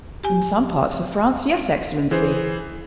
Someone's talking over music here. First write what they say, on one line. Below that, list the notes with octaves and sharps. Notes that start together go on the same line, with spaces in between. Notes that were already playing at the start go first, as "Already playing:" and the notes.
"In some parts of France--yes, excellency."
G4 G#5
E3 G#4 C5